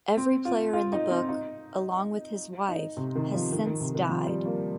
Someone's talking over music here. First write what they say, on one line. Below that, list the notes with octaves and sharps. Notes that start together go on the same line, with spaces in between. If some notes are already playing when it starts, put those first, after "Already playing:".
Every player in the book, along with his wife, has since died.
C4
F4
F4
D#4
C4
D#4
D#4
C3
D#3
F3
D#3
D#3
C3
D#3
F3
G3
A#3